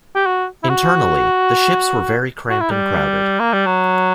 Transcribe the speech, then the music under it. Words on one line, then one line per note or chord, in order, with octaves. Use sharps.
Internally, the ships were very cramped and crowded.
G4
F#4
E4
F#4
F#4
E4
G3
A#3
G3
F#3